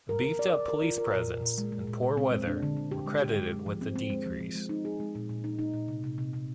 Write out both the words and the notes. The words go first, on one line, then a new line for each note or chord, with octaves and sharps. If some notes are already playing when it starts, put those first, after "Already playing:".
A beefed-up police presence and poor weather were credited with the decrease.
A#4
A#4
D5
D5
A#4
F4
A#4
A#2
A#2
A#2
G#3
G#3
A#2
A#2
C4
G#3
D4
D3
D3
G4
G#3
G4
G#3
G#3
F3
C4
C4
G#3
F3
F3
G#3
D#4
G#4
G#3
A#2
A#2
D#4
D#4
A#2
C3
C3
C3
C3